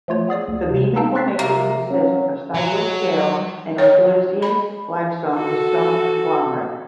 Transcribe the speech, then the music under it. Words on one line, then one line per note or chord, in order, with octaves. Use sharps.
The Beeman Formation consists of cyclic shale and argillaceous limestone with some conglomerate.
F3 A3 F4 C#5
B3 G#4 D5 D#6
D2
C3
D#4 A4 F5 G5 A5 A#5
C#6 F#6 A6 B6 C7
C3 A#3
F#3 C#4
F#3
C#5
B5
F#4 A4